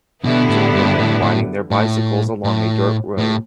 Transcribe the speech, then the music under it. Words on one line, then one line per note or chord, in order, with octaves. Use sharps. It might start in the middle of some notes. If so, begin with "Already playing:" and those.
Two women riding their bicycles along a dirt road.
B2 D3 G3 B3 E4
A2
G2
A2
A2
A2
A2
A2